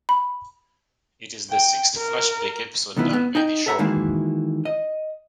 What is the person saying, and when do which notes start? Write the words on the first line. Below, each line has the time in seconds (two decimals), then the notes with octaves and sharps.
It is the sixth flashback episode done by the show.
0.09 B5
1.50 G5
1.97 A#4
2.96 B1 D#3 B3 E4 F4
3.13 B3
3.35 D#4 D#5 G5
3.66 A4 C#5 E5 F#5 G#5 A#5
3.79 D#3 E3 G#3 A#3 E4 F#4
4.65 D#5